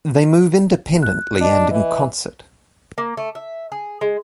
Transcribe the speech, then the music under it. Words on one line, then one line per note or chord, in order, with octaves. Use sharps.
They move independently and in concert.
F#6
D4 D#5
E3
A#3
A3
E5
G#4
G#3